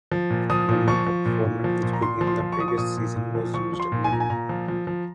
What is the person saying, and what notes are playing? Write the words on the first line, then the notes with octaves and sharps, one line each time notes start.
The new cup format which began the previous season was used again.
F3
A#2
F3 D#6
A#2
F3 C#6
F3
A#2
A#2
F3
A#2
A#5
A#2 C6
F3
C6
F3
C#6
F3 D#6
C#6
A#2 D#6
A#2
A#2
F3
F3 C#6
F3
C6
A#2
G#5
A#2 A#5
G#5
A#2 A#5
F3
F3
F3